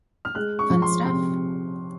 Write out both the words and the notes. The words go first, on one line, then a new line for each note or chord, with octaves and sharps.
Fun stuff.
F6
G#3 F#6
C#6
F3
C6
C3 C6